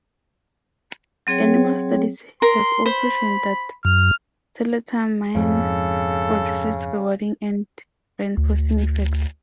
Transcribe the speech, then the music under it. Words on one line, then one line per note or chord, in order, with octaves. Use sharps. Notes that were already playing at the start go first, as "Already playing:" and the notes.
Animal studies have also shown that tiletamine produces rewarding and reinforcing effects.
F#3 C4 G#4 C#5 G5
A#4 C6
C5 B5
F#2 F6
F2 G#2 C#3 A4
D2